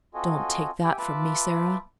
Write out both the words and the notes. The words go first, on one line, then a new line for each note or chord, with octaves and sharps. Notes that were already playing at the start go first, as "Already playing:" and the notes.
Don't take that from me, Sara.
C4 F4 F#4 A4 D#5 G#5
G4 E5 G5 G#5
F4 B4 E5 A5 B5 D6